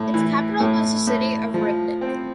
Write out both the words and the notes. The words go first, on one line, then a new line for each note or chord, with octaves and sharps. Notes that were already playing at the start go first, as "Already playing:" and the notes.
Its capital was the city of Rybnik.
Already playing: A2
E3
A2
A2
F3
C4